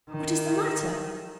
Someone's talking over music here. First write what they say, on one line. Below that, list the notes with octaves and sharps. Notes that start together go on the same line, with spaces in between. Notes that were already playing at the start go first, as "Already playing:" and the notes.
'What is the matter?
D#3